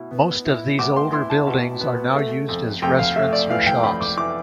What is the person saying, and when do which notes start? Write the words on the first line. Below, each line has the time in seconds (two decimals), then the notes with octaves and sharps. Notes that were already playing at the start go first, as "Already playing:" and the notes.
Most of these older buildings are now used as restaurants or shops.
Already playing: B2 E4
0.11 B3
0.45 E4
0.79 E2 D6
0.96 C6
1.13 E4 C6
1.30 A5
1.47 B2
1.81 B3
2.14 A3
2.49 F2
2.82 F2 G5
2.99 F5
3.16 A3 E5
3.33 D5
3.49 E3 F5
3.66 G5
3.83 F2 B5
4.01 D6
4.17 E3 D6